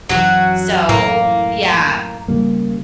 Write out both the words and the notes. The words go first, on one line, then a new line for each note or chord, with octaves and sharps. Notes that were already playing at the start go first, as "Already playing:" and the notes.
So, yeah.
F#2 E3 F#3 F#4
A2 A#3
C#3 G3 A#3